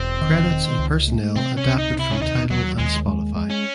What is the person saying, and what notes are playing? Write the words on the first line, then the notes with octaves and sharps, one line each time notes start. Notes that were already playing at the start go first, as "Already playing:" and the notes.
Credits and personnel adapted from Tidal and Spotify.
Already playing: E1 C4
D#3
D#3
C#2
A3
C3 C4
C#4
C#2
D#4
C3
E4
C#4
D#2 D#4
D#2 F#3
D#2 G#3
G#3
G#3
C#4